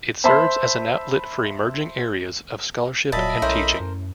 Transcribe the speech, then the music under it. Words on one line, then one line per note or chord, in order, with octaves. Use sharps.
It serves as an outlet for emerging areas of scholarship and teaching.
C5 E5 A5 B5 C6
D#1 A#2 F#3 D#5 E5 A5 B5
B1 A3 C#4 E4 A#4 C5
F#2